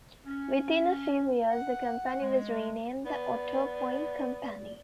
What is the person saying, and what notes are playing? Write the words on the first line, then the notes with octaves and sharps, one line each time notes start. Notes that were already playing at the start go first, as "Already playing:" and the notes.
Within a few years the company was renamed, the Autopoint Company.
C#4
F#5
G#3
B3 D5